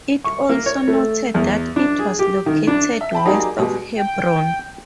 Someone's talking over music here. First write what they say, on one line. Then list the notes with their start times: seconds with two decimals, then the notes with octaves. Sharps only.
It also noted that it was located west of Hebron.
0.24 C#6
0.49 A#3
0.66 C#5
0.88 A3
1.34 E2
1.76 D4
1.99 G#4
2.19 G4
2.46 D#3
2.67 D4
3.01 E5
3.13 G5 A5 B5
3.26 F#3 A#3 D#4 G4 G#4 D5
3.58 B2 G3 G#3
3.99 G5